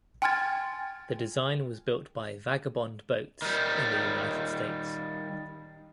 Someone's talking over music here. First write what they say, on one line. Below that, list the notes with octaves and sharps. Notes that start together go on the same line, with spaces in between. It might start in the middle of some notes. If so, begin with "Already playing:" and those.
The design was built by Vagabond Boats in the United States.
G5 G#5 C6 F6 G#6 A6
D#3 G3